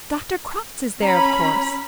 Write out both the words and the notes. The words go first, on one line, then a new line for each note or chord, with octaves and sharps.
Dr. Crofts is there, of course.
C#4 A#5 B5